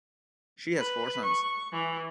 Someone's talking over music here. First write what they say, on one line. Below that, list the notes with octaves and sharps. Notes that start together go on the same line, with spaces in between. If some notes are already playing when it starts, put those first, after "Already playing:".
She has four sons.
B4
C#6
E3